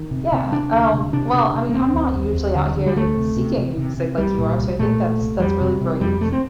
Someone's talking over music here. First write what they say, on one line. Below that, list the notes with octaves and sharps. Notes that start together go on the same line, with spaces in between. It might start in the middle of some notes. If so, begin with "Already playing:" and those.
Yeah, um, well, I mean, I'm not usually out here seeking new music like you are, so I think that's that's really great.
Already playing: D#3
C3
C3
C3 D4
D2
C3
C3 D4
C3
C3
A#3
D#2 C4
D#2
D#2
D#2
D3
D3
G3
D2 A3
C3
C3
C3
C3
C3
C2 G3
A#2
C2
A#2 A3
A#2
C2
F2 G3
C3
C3
F2 G3
C3 A3
C4